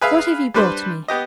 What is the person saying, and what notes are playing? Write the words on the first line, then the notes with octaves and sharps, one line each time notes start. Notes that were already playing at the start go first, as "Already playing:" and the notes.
What have you brought me?'
G#4 B4 E5 F5
G3 D4 B4 C5
B3 G4 D#5